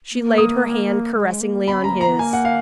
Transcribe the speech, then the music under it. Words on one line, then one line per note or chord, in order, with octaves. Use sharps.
She laid her hand caressingly on his.
A#3
D#6
G#3
A#3
B3 B5
C#4 A#5
A#3
A#5
B3
A#3 G#5
F#5
F5